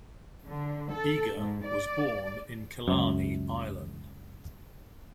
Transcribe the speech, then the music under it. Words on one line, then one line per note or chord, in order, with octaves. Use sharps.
Eagar was born in Killarney, Ireland.
D3
A4
G#2
D5
C#2 F#2